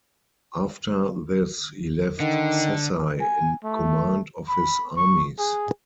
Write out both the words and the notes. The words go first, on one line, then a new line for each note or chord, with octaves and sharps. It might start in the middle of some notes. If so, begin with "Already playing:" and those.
After this, he left Sessai in command of his armies.
D3 D#3
G#5
A3
B5
C#6
G#4